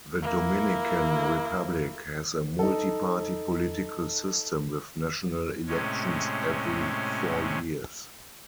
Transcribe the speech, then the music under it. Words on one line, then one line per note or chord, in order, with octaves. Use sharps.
The Dominican Republic has a multi-party political system with national elections every four years.
A#3 E4
D#4 A4
A2 C3 G#3 C#4